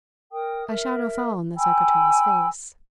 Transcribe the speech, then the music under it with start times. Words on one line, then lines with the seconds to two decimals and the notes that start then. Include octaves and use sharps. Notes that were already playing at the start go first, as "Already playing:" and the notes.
A shadow fell on the secretary's face.
0.32 A#4 G5 D#6
0.67 A#4 E5
1.56 G5 G#5 B5 E6